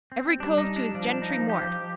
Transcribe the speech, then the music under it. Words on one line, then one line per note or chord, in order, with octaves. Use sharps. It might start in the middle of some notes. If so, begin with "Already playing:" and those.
Every cove to his gentry mort.
C4
G3 D4
D#4
D4
F3 D4
D#4
G4